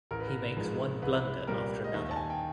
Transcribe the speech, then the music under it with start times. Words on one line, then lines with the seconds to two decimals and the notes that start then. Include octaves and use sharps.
He makes one blunder after another.
0.11 A1 A#4
0.20 B4
0.28 A#4
0.57 G#2 F3 G#3
1.02 C2 B4
1.47 A#2 G3 A#4
1.84 D#5
1.94 D#2 E5
2.11 A5
2.16 G#5
2.30 G5